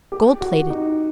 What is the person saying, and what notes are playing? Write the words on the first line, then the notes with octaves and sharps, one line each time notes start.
Gold Plated.
G4
F#4
D#4